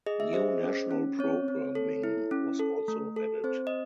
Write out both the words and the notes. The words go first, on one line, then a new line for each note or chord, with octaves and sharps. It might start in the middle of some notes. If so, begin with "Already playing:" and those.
New national programming was also added.
G#4 D#5
E5
G#4 C5 D#5
C#4
C#4
C4 C#5
C4
A4
E4
C#4
A4
A3
A4
C4 C5
D#5